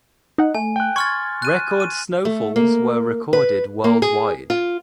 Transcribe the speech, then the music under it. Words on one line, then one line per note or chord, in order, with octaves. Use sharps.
Record snowfalls were recorded worldwide.
D#4 F#5
A3 G#5
G5 F#6
C6 C#6 F6 G#6 A6
F#6 D#7
D#7
A3
A#3
B4
A#3
G#4
F4